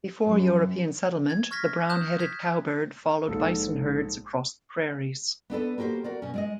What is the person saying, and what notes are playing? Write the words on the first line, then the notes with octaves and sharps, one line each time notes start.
Before European settlement, the brown-headed cowbird followed bison herds across the prairies.
F#2
G#6
C#6 F6 G#6 A#6 B6
D#6 F#6 G6 E7
F#6 G#6 B6
A#1 G#2 A4
B3 D4 A4 B4
A#3 F#4 G4 B4 C5
F#4 A#4 D5
B2 C#4
G#3 D5 D#5